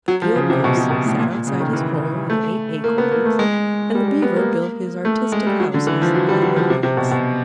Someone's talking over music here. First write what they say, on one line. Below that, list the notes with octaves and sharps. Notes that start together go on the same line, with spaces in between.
The Field Mouse sat outside his hole and ate acorns, and the Beaver built his artistic houses by the river banks.
F#3
F3
C#3
C3
B2
C3
B2
A2
A#2
A#2
C#3
D#3
E3
A3
A#3
B3
A#3
A3
G#3
G3
G3
B3
A#3
A3
G#3
G3
F#3
D3
E3
F3
F#3
G3
F#3
F3
C3
C3
B2
B2